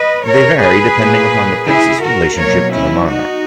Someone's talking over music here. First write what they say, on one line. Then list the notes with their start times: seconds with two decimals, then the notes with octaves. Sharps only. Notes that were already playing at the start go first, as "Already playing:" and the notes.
They vary depending upon the prince's relationship to the monarch.
Already playing: B4 D#5
0.25 A#4 C#5
0.60 G#4 B4
0.97 A#2 A#3
1.67 E4 G#4
2.02 F#4 A#4
2.38 B2 F#3 A#3 A#4 C#5
2.73 C#4 E4
3.09 D#4 F#4